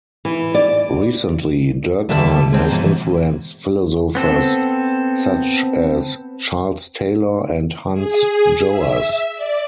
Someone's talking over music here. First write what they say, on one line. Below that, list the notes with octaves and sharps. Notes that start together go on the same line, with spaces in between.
Recently, Durkheim has influenced philosophers such as Charles Taylor and Hans Joas.
E3
D5
D#2 A2 D3 G3 E5 A5
G#3 C4 D#4
F#2 B2 E3 D4 E4 F#4
B3 C4 A4
G#4
E5
D5